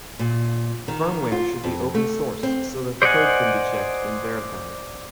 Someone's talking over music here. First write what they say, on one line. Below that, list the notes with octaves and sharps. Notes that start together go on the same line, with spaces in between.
Firmware should be open-source so that the code can be checked and verified.
A#2
D#3
F4
F2
A3
C4
C5 D5 D#5 F#5 G#5